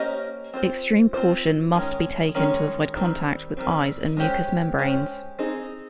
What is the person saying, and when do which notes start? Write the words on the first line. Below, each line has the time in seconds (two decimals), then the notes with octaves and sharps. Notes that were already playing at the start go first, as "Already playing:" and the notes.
Extreme caution must be taken to avoid contact with eyes and mucous membranes.
Already playing: A#3 C#4 G4 C5 D#5
0.53 C4 F4 C5
1.14 C4 F4 C5
1.74 D#3 G#3 C#4
2.35 D#3 G#3 C#4
2.95 D#3 G3 C4
3.57 D#3 G3 C4
4.17 G#3 C#4 G4 C5
4.78 G#3 C#4 G4 C5
5.39 C4 D#4 G#4